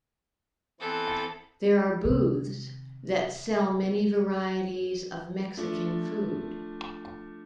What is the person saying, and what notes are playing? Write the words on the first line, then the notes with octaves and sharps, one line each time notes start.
There are booths that sell many varieties of Mexican food.
E3 B3 C4 A4
C3 D#3
F3 A3 D4